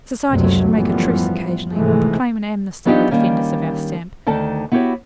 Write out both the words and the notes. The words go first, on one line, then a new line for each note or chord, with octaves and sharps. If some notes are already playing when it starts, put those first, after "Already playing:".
Society should make a truce occasionally, or proclaim an amnesty with offenders of our stamp.
F#1 C#2 F#2 C3 F#3 A3
F#2 A2 E3 F3 G3 B3
G#2 C3 E3 F3 G#3 A3
F#3 B3 D4 D#4 F4 G4
D#3 G3 A#3 C#4
D2 D#3 A4 A5
B3 E4 F#4 G4 B4 C#5